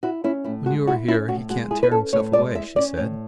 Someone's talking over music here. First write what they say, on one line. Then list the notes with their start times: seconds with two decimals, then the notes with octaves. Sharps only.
"When you are here he can't tear himself away," she said.
0.03 E4 F#4
0.24 C#4 E4
0.44 A2 E4
0.66 G#3 F#4
0.87 E4 F#4
1.08 C#4 E4
1.29 A2 F#4
1.49 G#3 F#4
1.71 E4 G#4
1.83 B4
1.91 C#4 A4
2.13 A2 C#5
2.33 G#3 D5
2.55 E4 E5
2.76 C#4 D5
2.97 A2 C#5